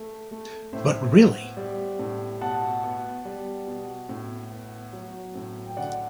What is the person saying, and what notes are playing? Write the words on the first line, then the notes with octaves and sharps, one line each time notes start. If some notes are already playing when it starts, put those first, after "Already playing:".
But really?
Already playing: A3
A3
A2 C5 E5
B3
G3
A2
B2 F#5 A5
B3
G3
B2
A2
B3
F#3
A2
G5
D3 D5 F#5